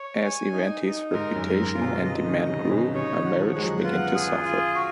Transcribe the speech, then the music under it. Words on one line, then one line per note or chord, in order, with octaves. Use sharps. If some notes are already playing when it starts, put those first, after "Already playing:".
As Evanti's reputation and demand grew, her marriage began to suffer.
Already playing: C#5
G#5
D#4
D#4
G#2 A#4
F#2
A#4
G#2
F4
B2
C#3 D#5
D#3
D#4
C#3
D#4
B2
C#3 C#5
D#3
F#5
F3
G#3 F#5
F#3
B3 F4
G#4
F4
F#4